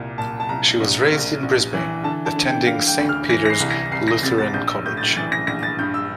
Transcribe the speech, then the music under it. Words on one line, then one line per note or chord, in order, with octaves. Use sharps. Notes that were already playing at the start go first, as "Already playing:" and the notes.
She was raised in Brisbane, attending Saint Peter's Lutheran College.
Already playing: C2 A#2
A#2 A5
A5
C2 A#5
A#1
A#1
A#1
E3
D3 A5
A5
D3
G5
D3 F5
G5
D2
F6
E3 A#6
A#6
C7
C2
A#6
C2 C7
A#6
C3 A6
A6
A#1 G6
E6
A2 G6
A6
G6
E3 A6
A#6
A#1 A#6
A6
G2 G6
E6